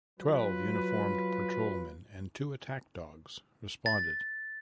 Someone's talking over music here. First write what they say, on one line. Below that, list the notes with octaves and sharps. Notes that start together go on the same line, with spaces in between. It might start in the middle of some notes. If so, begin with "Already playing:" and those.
Twelve uniformed patrolmen and two attack dogs responded.
F#3 F4 B4
A6